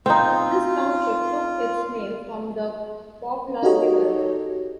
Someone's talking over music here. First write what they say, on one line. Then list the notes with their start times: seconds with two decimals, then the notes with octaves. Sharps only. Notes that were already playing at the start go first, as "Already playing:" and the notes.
This township took its name from the Poplar River.
0.06 C4 D#4 F4
3.63 D#4 F#4 G4 A4 C#5 D#5